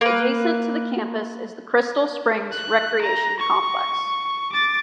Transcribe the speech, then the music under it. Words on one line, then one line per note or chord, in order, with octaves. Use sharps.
Adjacent to the campus is the Crystal Springs recreation complex.
A#3 B4
F#6
A#5
C#6
D6 A6